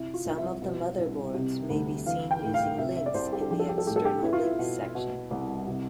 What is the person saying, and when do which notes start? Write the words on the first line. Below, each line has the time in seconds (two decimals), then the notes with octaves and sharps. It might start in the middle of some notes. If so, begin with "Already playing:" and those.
Some of the motherboards may be seen using links in the external links section.
Already playing: C3 E4
0.14 F4
0.25 C2
0.38 E5
0.62 B2
0.98 C2
1.34 C3
1.70 D2
2.06 E3 F5
2.31 G5
2.42 A2
2.54 F5
2.78 C3 E5
2.96 E5
3.06 D5
3.14 C2 C5
3.33 G4
3.41 A4
3.51 F3 G4
3.60 A4
3.69 G4
3.78 A4
3.87 A2 G4
3.96 A4
4.05 G4
4.23 B3 E4
4.33 F4
4.42 E4
4.59 B2
4.95 B2
5.31 C2
5.67 C3